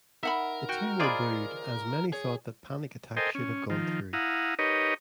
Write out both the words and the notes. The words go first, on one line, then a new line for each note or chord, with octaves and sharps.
The team were booed, as many thought that Panic Attack should have gone through.
D#4 A#4 E5 F#5 B5
F#4 G5
F4 G#4 C5 D5 D#5 B5
G#4 C#5
A4 A#4 C5 D#5 G5 G#5
C#4
D#3 F3
E4 F5 F#5 A#5 D#6
D#4 G4 A#4 B4 C#5 D#5